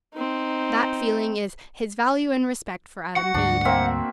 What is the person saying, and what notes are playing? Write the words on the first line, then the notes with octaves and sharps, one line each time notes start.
That feeling is his value and respect for Adam Bede.
C4 D#4
F#4 F#5
D2 G#2 G3 D4
A#3 C4 E5